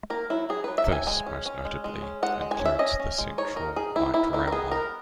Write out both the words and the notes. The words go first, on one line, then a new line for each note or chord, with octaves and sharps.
This, most notably, includes the Central Light Rail line.
A#3 A#4
F#3 E4
F#3 G#4
F#3 B4
E5
F#3
G#5
G#3 G#5
C#4
C#4
G#3
G#3
C#4
G#3 F#5
G#3
G#5
C#4
E5
C#4 D#5
C#4
G#3
D#4 C#5
D#4 A#4
D#3 G#4
D#3 E4
A#3 E4
D#3 E4
A#4
B3 G#4
B3 A#4